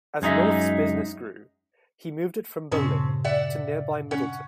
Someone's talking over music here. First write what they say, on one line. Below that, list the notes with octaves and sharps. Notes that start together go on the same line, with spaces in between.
As North's business grew, he moved it from Berlin to nearby Middletown.
F#2 G#3 D#4 D#5 E5
G2 A#2 C#3 F3 C4 C#4
D5 E5 F#5
C#4 F#5